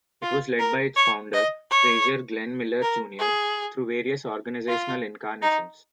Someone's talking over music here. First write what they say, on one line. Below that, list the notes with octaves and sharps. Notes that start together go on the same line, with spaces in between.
It was led by its founder, Frazier Glenn Miller Junior through various organizational incarnations.
F4
A#4
C#5
D#5
C#5
A#4
G#4
F4
D#4